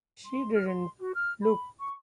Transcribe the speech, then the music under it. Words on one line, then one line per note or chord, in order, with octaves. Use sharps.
She didn’t look.
C6
F6
C6
F#4
F6
B5
C#6